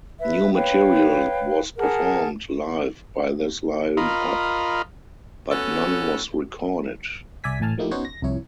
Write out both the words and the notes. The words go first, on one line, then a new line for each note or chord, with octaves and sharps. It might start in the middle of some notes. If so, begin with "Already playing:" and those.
New material was performed live by this line-up, but none was recorded.
B4 E5
B4 C#5 F5 G5
G#4 A#4 F#5 A5
F4 A#4 D#5 B5
B3 C#4 F#4 A4
C2 D5 E5 G#5 B6
A1 A2 G#5 A5 F6
F3 A3 A#3 D#4 E4 G4
B3 C#4 D#4 F#4 C5 C#5
A#6
C2 F2 E4 C#5